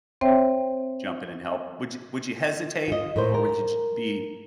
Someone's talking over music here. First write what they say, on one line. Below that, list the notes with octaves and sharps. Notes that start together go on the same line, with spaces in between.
jump in and help- would you would you hesitate or would y be
C4 C5 C#5 E5 G5
F4 D#5
A2 A#4 C5
A#4